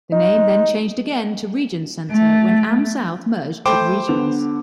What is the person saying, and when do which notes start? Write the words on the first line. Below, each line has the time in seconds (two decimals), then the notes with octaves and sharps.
The name then changed again to Regions Center when AmSouth merged with Regions.
0.12 D#4
2.12 A3
3.66 A3 C5 G5 B5 D6
4.08 D3 B3 F7